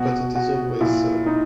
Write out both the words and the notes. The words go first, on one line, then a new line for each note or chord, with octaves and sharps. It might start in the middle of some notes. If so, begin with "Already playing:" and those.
But it is always so.
Already playing: B2 F#4
F#4
A#2 E4
D#4